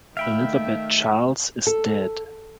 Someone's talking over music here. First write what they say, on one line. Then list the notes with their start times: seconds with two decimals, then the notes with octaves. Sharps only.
Elizabeth Charles is dead.
0.17 D#3 A3 E5 F5 G5 B5
1.67 A4